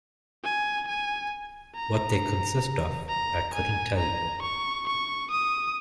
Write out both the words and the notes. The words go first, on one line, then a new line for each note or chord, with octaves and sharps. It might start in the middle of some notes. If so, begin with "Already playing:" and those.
What they consist of, I couldn't tell you.
G#5
G#5
A#5
A#5
G#5
A#5
C#6
C#6
D#6